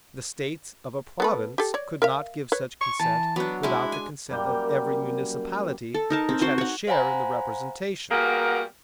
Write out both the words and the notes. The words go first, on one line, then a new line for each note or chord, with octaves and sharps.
The States of a province could not give such consent without the consent of every municipality which had a share in the representation.
B3 A4 B4
G4 A4
C#5 D5
A#4 E5 F5
B4 C#5
C#6
E3 A5
F#3 B3 D4
G#3 D4 E4
G#5
F#2 G3 A#3 G5
A4
D#4 A#4 A5
C4
C4 F#4 C5 C6
C#5 F#5
C5 F5 F#5 G#5 A#5 B5
G3 A#3 B3 F#4 G#4 A#4